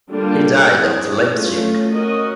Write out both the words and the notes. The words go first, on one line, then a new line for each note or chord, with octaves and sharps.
He died at Leipzig.
D3 G3 A#3 D4 F4
C4 E4 G#4
A3 C#4 F4
C#4 F#4 A#4 D#5